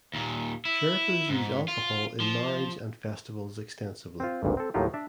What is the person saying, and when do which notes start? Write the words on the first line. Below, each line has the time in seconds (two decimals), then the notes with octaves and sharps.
Sherpas uses alcohol in marriage and festivals extensively.
0.14 D#2 A#2
0.65 E4
1.29 G#2
1.68 F4
2.20 F3
4.20 C4 F4
4.43 G#1 D2 G2 A#2
4.57 C4 A4
4.74 D#2 A2 F#3 D#4 F4 G4
4.94 D4 D5 E5